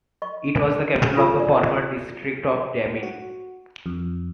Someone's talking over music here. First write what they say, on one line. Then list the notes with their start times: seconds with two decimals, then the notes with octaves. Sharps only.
It was the capital of the former district of Demmin.
0.22 D#5 C#6
1.17 F4 A4 G#5 E6
1.37 A#4 D5
3.03 F#4
3.86 F2